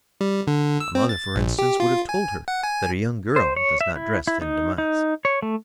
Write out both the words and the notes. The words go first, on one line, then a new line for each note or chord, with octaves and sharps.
A mother, for instance, would have told her that a young girl does not dress in damask.
G3
D3
E6
C4
A6
A#1
G4
F4
G#5
F#5
G#5
C5
C#5
E5
E4
E4
D#4
D#4
C#5
A3